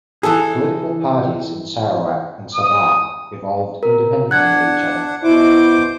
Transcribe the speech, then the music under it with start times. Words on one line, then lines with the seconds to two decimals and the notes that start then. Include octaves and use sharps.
Political parties in Sarawak and Sabah evolved independently of each other.
0.23 E3 G#4 A4 G#5
2.54 D#6
3.83 A#4
4.31 D4 F#5 F#6 G#6
5.24 B2 E4 C5 D6